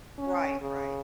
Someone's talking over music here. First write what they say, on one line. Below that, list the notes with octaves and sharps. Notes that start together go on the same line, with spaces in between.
Right, right.
C#4
C#3